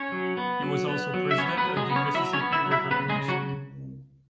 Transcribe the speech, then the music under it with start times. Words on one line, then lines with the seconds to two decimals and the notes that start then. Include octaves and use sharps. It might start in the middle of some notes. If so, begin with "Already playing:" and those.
He was also President of the Mississippi River Commission.
Already playing: C#4 C#5
0.12 F#3
0.37 B3
0.63 F#3
0.88 B3
1.14 F#3
1.31 E5
1.38 B3 C#4 C#5
1.57 B3 B4
1.64 F#3
1.77 G#3 G#4
1.89 B3
1.96 C#4 C#5
2.14 F#3 E4 E5
2.33 C#4 C#5
2.39 B3
2.52 E4 E5
2.65 F#3
2.71 E4 E5
2.91 C#3 B3 B4
3.09 G#3 G#4
3.16 C#3
3.28 F#3 F#4